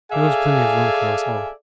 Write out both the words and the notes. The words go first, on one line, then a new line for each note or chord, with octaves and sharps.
There was plenty of room for us all.
G#4 A4 D5 E5 F5 G#5